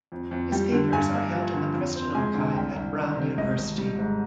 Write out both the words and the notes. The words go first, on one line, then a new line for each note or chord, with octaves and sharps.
His papers are held in the Preston Archive at Brown University.
F2
F2
G3 G5
D3
G2 G#5
A#3
F3
D3
F2
C4
G#3 G#5
D3
C2 G5
C2
D#3
C3
G#1 D#5
G#1
G3
G#2